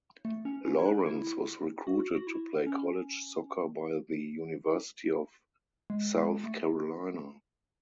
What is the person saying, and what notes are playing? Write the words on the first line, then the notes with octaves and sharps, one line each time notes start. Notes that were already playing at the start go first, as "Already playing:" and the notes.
Lawrence was recruited to play college soccer by the University of South Carolina.
A3
C#4
C#4
E4
D4
E4
F#4
F#4
E4
C#4
G#3
G#3
A3